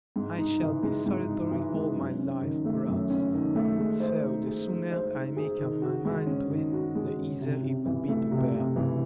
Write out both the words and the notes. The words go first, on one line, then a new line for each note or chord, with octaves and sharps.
"I shall be solitary all my life, perhaps; so the sooner I make up my mind to it, the easier it will be to bear."
G#2
D#4
E3
G#3
G#2
D#4
E3
G#3
F#2
C#4
D#3
A3
F#2
C#4
D#3
A3
G#3
C5
D#4
G#4
G#3
C5
D#4
G#4
D#3
F#4
G#3
C#4
D#3
F#4
G#3
C#4
C3
C3
E3
A3
C3
C3
E3